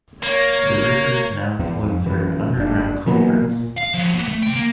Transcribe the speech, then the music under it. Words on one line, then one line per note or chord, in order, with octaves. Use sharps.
The rivers now flow through underground culverts.
A#3 C#5
E2
F2
F#2 E3
F#1 D4
E3 F#3 A#3 B3
A#2
F5
F3 F#4
A#3 B3
A3
C3 G5
A#3